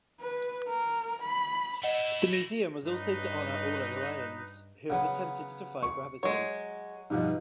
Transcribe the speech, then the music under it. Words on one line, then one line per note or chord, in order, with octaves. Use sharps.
The museum also was to honor all Ohioans who have attempted to defy gravity.
B4
A#4
B5
A3 E4 D#5 F#5
A#6
G2 C#4 D#4 B4 D#5
C#3 F#3 B3 F#5
C#6
F#3 G#3 C#5
G2 B2 F3 D#4